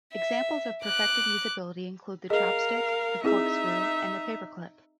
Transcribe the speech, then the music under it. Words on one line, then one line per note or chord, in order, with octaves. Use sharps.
Examples of perfected usability include the chopstick, the corkscrew and the paper clip.
E5
D6 F#6
G#4 A#4 D#5 F5
C4 D#4 E4 G#4 E5